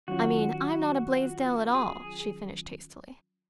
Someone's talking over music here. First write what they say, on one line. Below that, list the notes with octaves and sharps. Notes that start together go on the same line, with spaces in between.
"I mean, I'm not a Blaisdell at all," she finished hastily.
D#3 F#3 C#4 F4 F#4
G#4